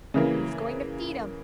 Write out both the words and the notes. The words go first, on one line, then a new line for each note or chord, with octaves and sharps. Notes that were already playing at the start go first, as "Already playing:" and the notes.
Who's going to feed 'em?
C#3 E3 A#3